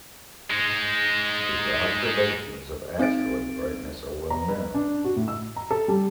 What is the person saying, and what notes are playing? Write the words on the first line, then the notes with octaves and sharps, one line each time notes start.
His observations of asteroid brightness are well known.
G#3 D#4
C4 D#4 A6 D7
A#5
B4
D4
F#4
A2
E6
A#5
A4
G3